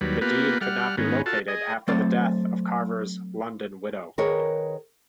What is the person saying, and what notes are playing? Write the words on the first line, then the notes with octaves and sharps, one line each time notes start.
The deed could not be located after the death of Carver's London widow.
D#2 F#3 G3 B4
A#3 B3 F4 G4 B4
G3 F#5 F6
G#2 D#3 B3 C#4
F4 F#4 A4 A5
G#4 D#5
F#3 A3 C4 C5 D5
D#3 G#4 A#4 B4 C#5